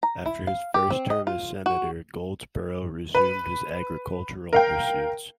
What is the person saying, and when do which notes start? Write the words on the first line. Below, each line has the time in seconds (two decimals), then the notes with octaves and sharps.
After his first term as Senator, Goldsborough resumed his agricultural pursuits.
0.03 A#5
0.26 E4
0.47 F5
0.74 G4
0.91 C4
1.10 D#5
1.27 F4
1.66 F#4
3.15 B4
4.53 A#4 F5 G5